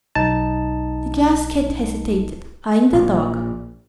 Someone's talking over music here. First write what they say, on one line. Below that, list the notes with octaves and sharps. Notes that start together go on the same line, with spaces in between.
The Glass Cat hesitated, eyeing the dog.
B1 D#4 A5
A#1 A#2